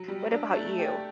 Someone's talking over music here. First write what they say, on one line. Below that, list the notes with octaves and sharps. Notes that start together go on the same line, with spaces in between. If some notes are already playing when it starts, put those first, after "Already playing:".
What about you?
Already playing: F#3
G3
D4
A3
G4